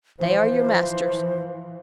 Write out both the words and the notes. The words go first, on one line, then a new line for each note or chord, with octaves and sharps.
They are your masters.
E3 F3 C5